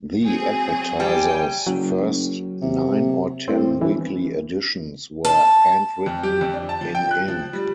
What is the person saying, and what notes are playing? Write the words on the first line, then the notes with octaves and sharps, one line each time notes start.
The "Advertiser"'s first nine or ten weekly editions were handwritten in ink.
F#3 C4 G#4
G3 G5 G#5
F#1 F#3
C3
A2 C4
G1 E3
A5
F2
G4
F2
D4
A5
F3
G5
F#6
F3
G3